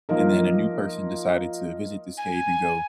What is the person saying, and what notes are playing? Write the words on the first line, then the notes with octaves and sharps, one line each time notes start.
and then a new person decided to visit this cave and go,
F3 A#3 D#4 A#4
G#5